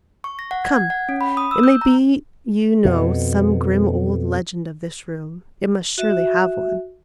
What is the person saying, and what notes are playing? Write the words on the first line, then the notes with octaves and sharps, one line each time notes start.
Come; it may be you know some grim old legend of this room--it must surely have one.
C#6
A#6
F#5
G#6
G#6
F#5
C#4
B5
D#6
E6
G6
A#5
F2 B2
F#4 E5